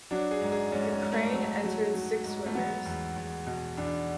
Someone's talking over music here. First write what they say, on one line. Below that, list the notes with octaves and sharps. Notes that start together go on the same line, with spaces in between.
Ukraine entered six swimmers.
F#3 D4
G#4
G#2
G#4
G#2 C#4
C#4
G#2
A3
F#3
F#3
F#3
G#2
A3
F#3 B3
E2
E2
B2
E2 D4